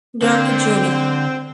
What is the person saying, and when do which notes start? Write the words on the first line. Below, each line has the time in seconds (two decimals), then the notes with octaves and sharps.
Durkee Jr.
0.22 D3 C4